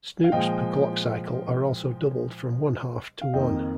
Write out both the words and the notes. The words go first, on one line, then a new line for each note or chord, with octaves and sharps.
Snoops per clock cycle are also doubled from one half to one.
F5
A#2 F3 G#3 D#5 G5
F5
F2 D#3 A#3 D#5 G5